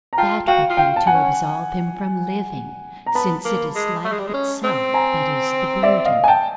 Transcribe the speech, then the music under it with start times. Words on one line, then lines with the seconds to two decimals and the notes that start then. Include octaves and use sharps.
That would be to absolve him from living, since it is life itself that is the burden.
0.13 A#5
0.18 F4 G5 A5
0.47 F#4 F5 G5
0.70 F4
0.77 F5 G5
0.96 A5
1.07 F#5 G#5
1.14 C#4
3.06 A#5
3.15 B3 A5 B5
3.45 A#3
3.75 G#3
4.05 A3
4.12 G#3
4.19 G3
4.27 G#3
4.34 C#4
4.64 C4
4.94 G#5 A#5
5.83 D5 E5
6.05 D#5 F5
6.24 G#5
6.28 G5 A5